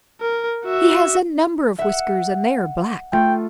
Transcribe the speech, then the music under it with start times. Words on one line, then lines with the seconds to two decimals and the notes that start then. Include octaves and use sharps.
He has a number of whiskers and they are black.
0.21 A#4
0.65 F#4 E5
1.79 E5 F#5
3.12 A3 F4 G5